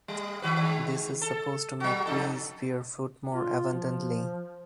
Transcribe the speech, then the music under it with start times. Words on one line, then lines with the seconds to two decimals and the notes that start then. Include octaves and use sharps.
This is supposed to make trees bear fruit more abundantly.
0.08 G3
0.42 D#3 F#4 B4
0.56 D#3 G#3
1.21 A4
1.80 F#3 F#4
2.06 F2 D#4 A4
3.33 F4
3.72 F3